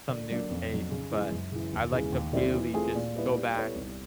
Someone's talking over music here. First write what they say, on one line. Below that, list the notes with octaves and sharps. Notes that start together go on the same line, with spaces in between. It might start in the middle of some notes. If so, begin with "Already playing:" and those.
some new taste. But I like to really just go back
D3
F#3 A#3 D4
F2
D3 F#3
C#3
E3 G#3
F#2
C#3 E3
D#2
C#3 E3 G#3
D#2
D3 G3 C4 E4
E3
A3 C4 F4 G#4
A#2
G3 B3 E4
G3
B3 E4 A4 C#5
C2